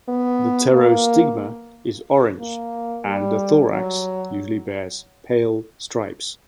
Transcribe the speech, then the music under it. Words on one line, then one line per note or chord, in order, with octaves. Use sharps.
The pterostigma is orange and the thorax usually bears pale stripes.
B3
A#3
A#3
G3
F#3